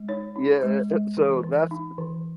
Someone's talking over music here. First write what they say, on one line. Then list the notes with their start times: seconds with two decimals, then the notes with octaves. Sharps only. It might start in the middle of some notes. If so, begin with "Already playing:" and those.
yeah, so that's
Already playing: G#3
0.08 D#4 C#5
0.36 D#4
0.63 G#3
0.90 G#3
1.17 E3
1.44 E3
1.71 D#4
1.98 E3